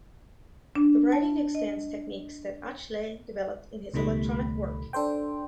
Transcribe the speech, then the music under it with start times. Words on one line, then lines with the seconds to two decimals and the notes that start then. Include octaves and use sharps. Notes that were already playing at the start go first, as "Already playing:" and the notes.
The writing extends techniques that Atchley developed in his electronic work.
0.75 D4
1.12 A5
1.55 D#5
3.94 C#2 B2 D#3 G3 A3 B5
4.93 D4 A4 C5 G5